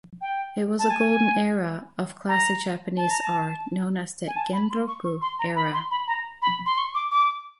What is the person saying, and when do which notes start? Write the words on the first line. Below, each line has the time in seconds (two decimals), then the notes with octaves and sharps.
It was a golden era of classic Japanese art, known as the "Genroku era".
0.21 G5
0.79 A5
0.90 G#5
2.28 A#5
2.97 A5
3.10 A#5
3.23 A5
4.27 G#5
4.36 A5
4.53 B5
4.70 C6
4.88 C#6
5.04 C#6
5.22 C6
5.39 A#5
5.56 B5
5.73 C6
5.91 B5
6.07 A#5
6.42 B5
6.66 C6
6.78 C#6
6.94 D6
7.11 D6